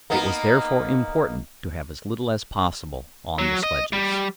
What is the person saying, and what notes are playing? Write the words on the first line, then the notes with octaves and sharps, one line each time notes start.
It was therefore important to have as little as possible on the sledges.
A#3 B3 D#4
F#3
D#5
G3